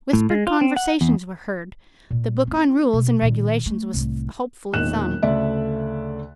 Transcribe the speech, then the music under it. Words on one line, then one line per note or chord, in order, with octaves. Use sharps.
Whispered conversations were heard. The book on rules and regulations was hopefully thumbed.
A2
G#3
F4
C4
F#5
E2
A#2
C4 E4
B2
A#2 D#3
A3
C2 A2
E1 A#2 D#3 F#6 E7
D2 C#3 A3 D5 E5